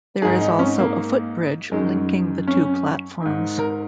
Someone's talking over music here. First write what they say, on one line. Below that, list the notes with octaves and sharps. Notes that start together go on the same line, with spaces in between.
There is also a footbridge linking the two platforms.
G#2 D#3 G#4
D#4
C#4
A#3
F#2 D#3 G#3
C#4
G#2 D#3
A#4